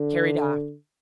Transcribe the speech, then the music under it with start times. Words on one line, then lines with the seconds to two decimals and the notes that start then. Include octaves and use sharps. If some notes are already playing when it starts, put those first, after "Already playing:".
Carried off?
Already playing: D3